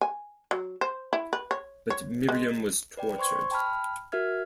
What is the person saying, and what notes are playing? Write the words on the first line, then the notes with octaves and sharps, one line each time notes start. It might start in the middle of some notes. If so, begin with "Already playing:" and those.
But Miriam was tortured.
G#5
F#3
C5
E4
B4
C#5
C#5
G#3
B4 D5 G5
C5 C6 C#6 G#6
G5 A5 B5 F6
F#4 A#4 E5 F6 G#6